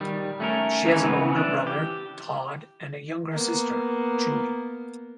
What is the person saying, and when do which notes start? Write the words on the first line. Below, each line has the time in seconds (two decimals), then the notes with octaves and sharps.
She has an older brother, Todd, and a younger sister, Julie.
0.01 D#3 G3
0.40 A3 C#4 A#4
0.86 D#3 E3 G#3 A#3 C#4 D#4
1.03 C#3 B3 C4
1.33 E3 D4
1.67 G4
3.31 A#3 B3